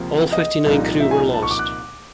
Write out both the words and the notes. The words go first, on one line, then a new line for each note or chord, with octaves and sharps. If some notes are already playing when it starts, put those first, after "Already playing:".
All fifty-nine crew were lost.
Already playing: C#2 C3 F3 A#3
D#5
C2 A#2 F3 A#3 D#4
E5
G#5
A5
C#6
D6
F#6